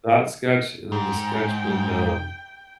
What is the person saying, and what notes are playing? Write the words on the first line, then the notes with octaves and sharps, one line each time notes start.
That sketch and then the sketch when, um,
G#2 G5